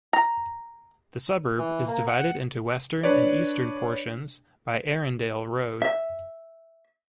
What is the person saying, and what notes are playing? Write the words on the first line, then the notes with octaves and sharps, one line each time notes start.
The suburb is divided into western and eastern portions by Erindale Road.
A#5
E3
A#3
F#5
D4 B4 C#5 D5
E5